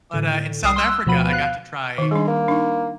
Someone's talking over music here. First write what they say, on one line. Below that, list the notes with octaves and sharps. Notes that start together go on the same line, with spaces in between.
But, uh, in South Africa, I got to try
A2 D3
C2 G3 D#6 C7
C6 D#6 E6 F#6
D2 B2 F3 B3 B5 D#7
F5 F#6
D#3 D#4
G3 G#3 D4
A#3
D4 D#4